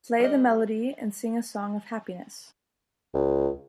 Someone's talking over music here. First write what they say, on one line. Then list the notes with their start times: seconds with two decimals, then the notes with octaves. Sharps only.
Play the melody and sing a song of happiness.
0.20 G3 A#4 D#5
3.14 C#2